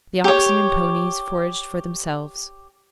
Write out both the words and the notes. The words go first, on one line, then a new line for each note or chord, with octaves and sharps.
The oxen and ponies foraged for themselves.
G4 C#5